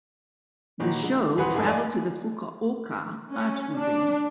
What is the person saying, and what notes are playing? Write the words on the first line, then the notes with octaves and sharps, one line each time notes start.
The show traveled to the Fukuoka Art Museum.
A#2 D#3 E3 F#3
D3 G#3
D#1 E3 G#4 B4 F#5 C6
F1 G#2 G#4 A4
D5 D#5 F5 G#5
C#4
D4